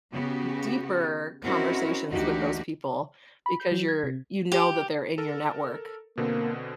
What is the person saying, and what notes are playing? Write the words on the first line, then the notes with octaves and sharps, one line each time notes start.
deeper conversations with those people, because you're you know that they're in your network.
C#3 B3 F#4 G4
C4 C#4 D#4 E4 F#4 A#4
D2 E3 A#3 D#4 F#4 G4
B5
G6
F#3
G#6
C3
G4
A4 A#4
B2 D3 A#3 C4